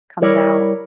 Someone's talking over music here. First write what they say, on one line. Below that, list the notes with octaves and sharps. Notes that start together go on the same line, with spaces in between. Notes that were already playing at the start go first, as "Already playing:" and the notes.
comes out.
G3 E4 A#4 C#5 D5